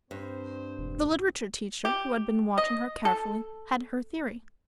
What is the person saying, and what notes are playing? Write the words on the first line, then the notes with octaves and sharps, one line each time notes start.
The literature teacher, who had been watching her carefully, had her theory.
G2 C4 C5
E1
G4
D#5
A4